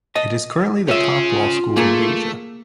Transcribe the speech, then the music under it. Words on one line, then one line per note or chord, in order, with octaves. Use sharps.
It is currently the top law school in Asia.
D#5 A5
C#4 F4 G#4 C#5 E5
A3 A#3 G#4 A#4